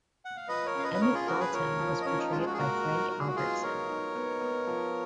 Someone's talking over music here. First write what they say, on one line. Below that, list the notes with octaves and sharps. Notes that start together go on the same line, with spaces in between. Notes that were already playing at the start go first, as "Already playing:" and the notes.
Emmett Dalton was portrayed by Frank Albertson.
F#5
F5
F3 B4 D#5
A#4 C#5
C#4 F5
B4 D#5
B4
C#4 A#4 C#5
F4 G#4
F3 F#4 A#4
G#4 B4
F3 A#4 C#5
F3
D#5
C#4 A#4 C#5
D#4
G#3 F4
G#4
F#4
G#4
A#2 F#4 A#4
D#4
F#3 A#4
G#4
F#4
B3 F4 G#4
D#4 A#4 C#5
D#4
B3
B3
F3